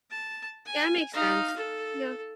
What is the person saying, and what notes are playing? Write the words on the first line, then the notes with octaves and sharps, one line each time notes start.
Yeah, that makes sense, yeah.
A5
G#5
D#4 F5
A4